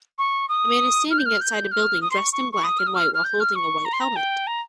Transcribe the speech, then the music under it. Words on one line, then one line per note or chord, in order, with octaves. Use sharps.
A man is standing outside a building dressed in black and white while holding a white helmet.
C#6
D#6
F6
G6
F6
G6
F6
D#6
C6
C#6
C#6
C#6
D#6
F6
D#6
F6
F6
G6
F6
C#6
A#5
C6
A#5
G5
A#5